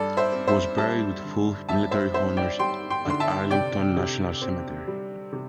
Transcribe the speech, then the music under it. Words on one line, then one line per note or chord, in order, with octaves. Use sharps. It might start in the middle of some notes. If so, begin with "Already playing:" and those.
He was buried with full military honors at Arlington National Cemetery.
Already playing: G2 A4 D5
C5 E5
C4
C5 E5
G3 E5 A5
D3
G2 E5 A5
C5 E5
C4 C5 E5
D5 G5
G3 G5 C6
G5 C6
D3 C6
E5 A5
C3 D5 G5
C3
C4
G3
C3